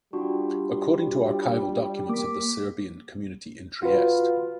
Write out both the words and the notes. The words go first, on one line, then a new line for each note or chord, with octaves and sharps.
According to archival documents of the Serbian community in Trieste.
G3 D4 F4 F#4
A#3 D6 B6
F4 F#4 B4